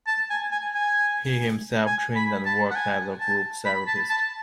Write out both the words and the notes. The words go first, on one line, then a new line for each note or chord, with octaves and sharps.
He himself trained and worked as a group therapist.
A5
G#5
G#5
G#5
G#5
B5
A5
F#5
G#5
A5
B5
A5
A5